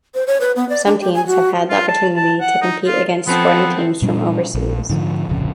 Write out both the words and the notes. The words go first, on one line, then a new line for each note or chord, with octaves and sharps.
Some teams have had the opportunity to compete against sporting teams from overseas.
C5
C#5
B4
B3
D5
D4
G4
G#5
F#4
F4
A5
A5
F#5
D#4
F4
F3 B3 C4 A4
A#2 G3 C#4 D4
A#1
G#2 D3 F3
D1 A#1 F2 C#3